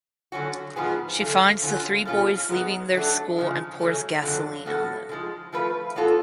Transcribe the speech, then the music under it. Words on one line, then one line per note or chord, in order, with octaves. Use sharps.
She finds the three boys leaving their school and pours gasoline on them.
D3 F#3 C#4 F#4
G#2 F3 B3 F4 G#4
F#2 D3 F3 A3 F4
D3 F#3 C#4 F4
B2 A3 C#4 F4 G#4
G#2 G#3 B3
F#3 A3 D4
C#3 F3 G#3
C#3 F#3 A3 C#4
F2 D3 F#3
A2 F3 B3 F#4 A4
D3 F3 G#3
F3 A3 F4 B4
F#3 B3 F4 A4